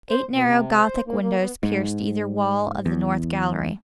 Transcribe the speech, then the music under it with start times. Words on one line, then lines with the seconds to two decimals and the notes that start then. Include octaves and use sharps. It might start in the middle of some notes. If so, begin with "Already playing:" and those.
Eight narrow Gothic windows pierced either wall of the north gallery.
0.10 C5
0.32 B2
0.45 C3
0.79 C5
1.07 A#3
1.22 A#3
1.39 B3
1.63 G#2
2.86 E2